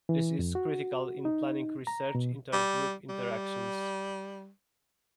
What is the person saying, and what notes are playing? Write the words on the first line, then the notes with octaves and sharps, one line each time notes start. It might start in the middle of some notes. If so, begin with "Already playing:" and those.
This is critical in planning research into group interactions.
E3
F2
F#4
D#4
A#5
B2
G3
G3